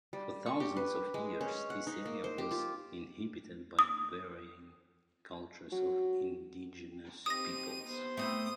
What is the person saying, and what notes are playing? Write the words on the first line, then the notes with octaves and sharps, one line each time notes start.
For thousands of years, this area was inhabited by varying cultures of indigenous peoples.
G3
C#6
G4
B4
G#3
C#4
F#5
D#4
A#3
C5
G4
F4
D#6
F#3
C4 D#4 G4 D#6 A#6 D#7
B3 C5
A3 C4 E4 D#6